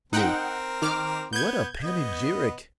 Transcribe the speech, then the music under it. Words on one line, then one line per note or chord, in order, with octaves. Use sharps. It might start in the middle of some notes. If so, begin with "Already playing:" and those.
ME: What a panegyric!
C4 D#4 A#4 F#5 G5
D#3 D6 F6
B3 G6 G#6
B3 D#5